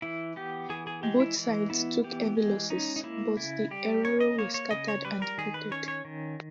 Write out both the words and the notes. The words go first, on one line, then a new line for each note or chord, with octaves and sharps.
Both sides took heavy losses, but the Herero were scattered and defeated.
E3 E4
B3 G4
E3 G#4
G#4
G#3 G4
E4
E3
B3 E4
E3 G4
G#3
C#4 D#4
D#4
A#3 E4
C#3 E4
G3 G4
C#4 C#5
D#5
A#3 C#5
C#5
C#3 D#5
C#5
G3 B4
A#4
D#3 G#4
B4
C#4 C#5
C#5
D#3